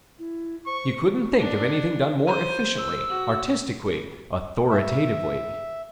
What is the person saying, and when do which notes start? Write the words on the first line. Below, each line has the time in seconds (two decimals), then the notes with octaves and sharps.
You couldn't think of anything done more efficiently, artistically, authoritatively.
0.19 E4
0.67 C5 C#6
1.39 D4
2.27 C5 D#7
2.78 E6
3.09 F#4
4.70 E5